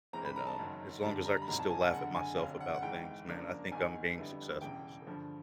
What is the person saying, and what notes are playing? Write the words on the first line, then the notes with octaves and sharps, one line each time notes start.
and, um, as long as I can still laugh at myself about things, man, I think I'm being successful, so
G2 E3 G#3 C4 A#5
B5
A#5
A5
F#1 F#2 D#3 F#3
F#2 D3 G3 A5
A#5
B5
E1 E2 C3 D#3 F#3 A#5
A5
G#5
F#5
F#1 F#2 D3 F#5
G#5
F1 F2 D3 F#3 F5
F#5
F#5
G#1 G#2 E3 G#3 G5
E2 C#3 F3 A#3 D4
G#1 G#2 D#3 G#5
F2 D3 G3 B3 E4
E1 E2 C#3 E3 G5
G2 D3 F3